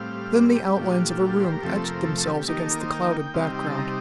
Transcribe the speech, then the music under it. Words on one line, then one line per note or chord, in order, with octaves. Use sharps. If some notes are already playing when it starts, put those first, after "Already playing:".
Then the outlines of a room etched themselves against the clouded background.
Already playing: A2 G3 C4 F5
D5
G4
G4
A#2 A3 D4 F4
C5
A#4
F2 C3 F3 A3 C4 A4
A#4
A4
A4
G4
D#3 A#3 D#4 G4
A4
A#4
C5
G5
G5
C3 G3 C4 D#4 F5
G5
G5
A5
A#5